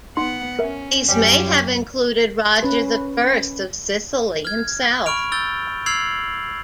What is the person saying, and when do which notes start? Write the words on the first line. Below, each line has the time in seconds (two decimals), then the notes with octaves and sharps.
These may have included Roger the First of Sicily, himself.
0.17 B3 D#4 F#5 C6
0.59 C#4 A#4 B4 E5
1.08 F#2 G3 C#4 G4
2.63 C#4 B4
4.45 F6 G#6
5.06 B5 C#6 F6 D7 F7
5.32 E6 G6 A6 G7
5.86 E6 F6 G#6 C7 F7 F#7